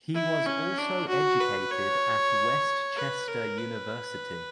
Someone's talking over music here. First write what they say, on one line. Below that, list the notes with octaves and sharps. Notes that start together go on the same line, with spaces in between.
He was also educated at West Chester University.
E4
C#4
D4
F#4
B4
C#5
B4
A#4
B4